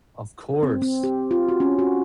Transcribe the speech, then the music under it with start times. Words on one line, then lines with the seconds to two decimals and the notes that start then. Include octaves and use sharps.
Of course.
0.63 C4
0.82 C4
1.04 G4
1.31 F4
1.49 F#4
1.60 C#4
1.79 F#4